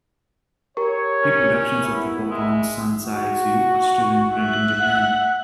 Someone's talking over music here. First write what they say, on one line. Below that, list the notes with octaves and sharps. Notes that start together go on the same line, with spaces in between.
Reproductions of the "Wakan Sansai Zue" are still in print in Japan.
G4 A#4 C#5 C#6
C#4
B3 E4
G#3 E5
F#4
E5 F#6
F#5